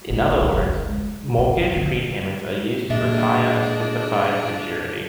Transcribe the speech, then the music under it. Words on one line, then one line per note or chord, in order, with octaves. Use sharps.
In other words, mortgage prepayments are used to retire a specified maturity.
A1
C#2
C#3
G#3
C#4
D#4
D3
A#2 G#3 D4 E5